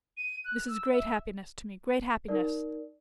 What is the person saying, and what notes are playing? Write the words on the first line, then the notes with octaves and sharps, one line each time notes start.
'This is great happiness to me, great happiness.
D#7
F#6
E6
E5
D#4 A#4 D5